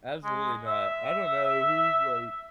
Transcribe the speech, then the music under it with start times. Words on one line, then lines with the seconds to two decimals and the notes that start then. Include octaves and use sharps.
Absolutely not. I don't know who, like
0.24 G#3
0.67 E5